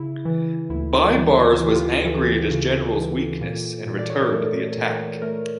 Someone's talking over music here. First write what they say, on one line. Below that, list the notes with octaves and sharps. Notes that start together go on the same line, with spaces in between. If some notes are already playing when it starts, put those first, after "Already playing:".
Baibars was angry at his generals' weakness, and returned to the attack.
Already playing: C#3 E4
E3
D2 E4
E3 E4
E3 F4
G4
F4
E3 A4
C#3
E3
A#2
A#2
D5
C#5
A#4
A3 A4
A#2
A3 A#4